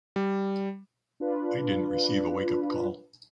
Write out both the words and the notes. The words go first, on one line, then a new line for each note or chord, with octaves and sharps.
I didn't receive a wake-up call.
G3
D4 F4 B4